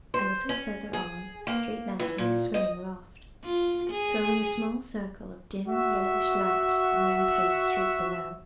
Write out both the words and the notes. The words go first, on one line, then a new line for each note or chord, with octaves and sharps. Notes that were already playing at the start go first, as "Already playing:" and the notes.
A little further on a street lanthorn was swinging aloft, throwing a small circle of dim, yellowish light on the unpaved street below.
C5
C#4
G#4
A#3
E3
A#2
D#5
F4
G#4
F#4 E5